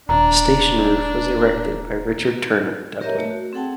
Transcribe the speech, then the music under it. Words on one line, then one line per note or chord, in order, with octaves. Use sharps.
The station roof was erected by Richard Turner, Dublin.
D#1 D4 A#5
G4 A#4 C#5 D#5 E5 A#5
A3
F#4
C4 G#4 A4 F#5 G5 A5